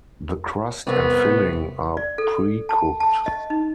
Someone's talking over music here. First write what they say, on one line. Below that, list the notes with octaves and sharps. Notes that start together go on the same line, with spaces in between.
The crust and filling are pre-cooked.
C2 B3
D5
A4
A5
A5
D#5
D#4